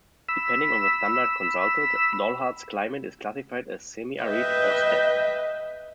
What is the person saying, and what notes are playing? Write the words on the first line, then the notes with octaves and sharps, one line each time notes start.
Depending on the standard consulted, Dalhart's climate is classified as "semi-arid" or "steppe".
B5 E6
B4 D#5 E5 G5